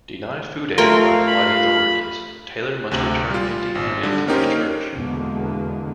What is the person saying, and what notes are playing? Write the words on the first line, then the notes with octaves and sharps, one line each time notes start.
Denied food aid by the white authorities, Taylor must return empty-handed to his church.
A3 F4 G4 A#4 F5 G5
B5
D2 C3
G3 F4
G#1
D3 G3
A#3 C#4 D#4 G4 A#4 C5
E2 B2 D3 G#3 A#3